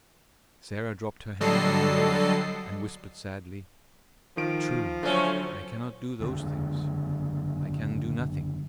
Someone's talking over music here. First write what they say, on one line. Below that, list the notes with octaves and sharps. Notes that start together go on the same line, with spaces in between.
Sarah dropped her hands on her knees, and whispered sadly, "True, I cannot do those things--I can do nothing."
D3 F#3 G3 A4 D#5 C7
D#3 F3 D7
D3 F#3 A3 C#4 C5
F#1 D3 G#3